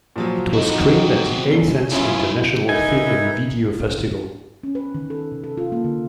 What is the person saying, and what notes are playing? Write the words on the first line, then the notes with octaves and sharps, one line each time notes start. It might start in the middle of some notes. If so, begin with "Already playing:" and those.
It was screened at the Athens International Film and Video Festival.
A#2 F3 F#3
C4 D#4 F#4
G2 C#4 G7
A1 F#2 C#4 E4 F4
D#4 A#4 B4 E5 G#5
C#4
B4
D#3
A4
C3
A4
F4
A#3
D3